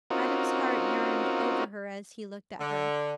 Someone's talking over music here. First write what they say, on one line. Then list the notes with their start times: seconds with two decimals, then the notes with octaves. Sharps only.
Adam's heart yearned over her as he looked at her.
0.10 C4 C#4 D#4 F4 F#4 A#4
2.60 D3